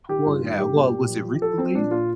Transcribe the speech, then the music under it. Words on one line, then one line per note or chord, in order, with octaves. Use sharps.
Well, yeah. Well, was it recently?
D#3 G4
G2 F4
D#3
G2 G4
A#2
A#2
F3
F3
F3 A4
F3 C4
A#2 D4
A#2 F4